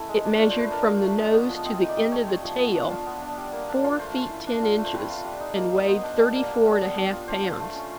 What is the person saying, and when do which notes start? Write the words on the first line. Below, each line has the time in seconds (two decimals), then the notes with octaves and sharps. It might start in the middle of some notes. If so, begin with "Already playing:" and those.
It measured from the nose to the end of the tail, four feet ten inches, and weighed thirty-four and a half pounds.
Already playing: C#4 E4 A4
0.09 G#3
0.24 D4 D5
0.39 F4 C#5
0.50 C5
0.56 A3 B4
0.71 D4 A#4
0.87 F4
1.02 A3
1.18 G#3
1.33 B3
1.49 F3
1.65 C4 D#5
1.81 D#4
1.89 D5
1.97 G3
2.12 A3 C#5
2.27 C4
2.43 F3
2.59 B3
2.75 D4
2.90 F4
3.06 B3
3.22 D4
3.38 G3
3.52 A#3
3.69 D4
3.84 F4
3.99 A3 C5
4.16 C#4
4.31 E4
4.47 D4
4.62 F4
4.78 A3
4.84 C5
4.94 C4 B4
5.10 F4
5.25 G3
5.40 D#4
5.56 A#3
5.72 D#4
5.87 B3 C5
6.03 D4
6.19 G3
6.35 A#3
6.51 D4
6.65 G3
6.82 B3
6.97 D4
7.13 F4
7.28 D4 C5
7.44 F4
7.60 A3
7.75 C#4